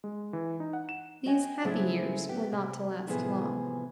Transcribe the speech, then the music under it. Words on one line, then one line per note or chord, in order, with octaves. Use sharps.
These happy years were not to last long.
G#3
E3
D#4
F#5
E7
F#4 D#5 G5 G#5
C#3 F#3 A3 C4 E4 G#4
B3 G4
C3
A2 C3 E3 F3 B3 G#4